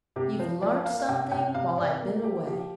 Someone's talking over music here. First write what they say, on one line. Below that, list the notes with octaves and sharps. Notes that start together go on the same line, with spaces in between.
'You've learnt something while I've been away.
C3 G4
F3 C5
F3 D5
A#3 F5
F5
C3 G5
C3 G5
C3 F5
C3 D5
A#3 A#4
A#3 G4
F3 G4